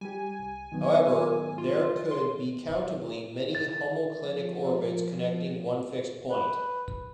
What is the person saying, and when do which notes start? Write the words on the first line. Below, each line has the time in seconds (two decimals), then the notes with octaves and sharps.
However, there could be countably many homoclinic orbits connecting one fixed point.
0.01 G3 G4 G#5
0.39 C2
0.72 D#3 F#3 B3
1.58 F4
2.11 C6
3.55 A6
4.19 F3
6.30 B4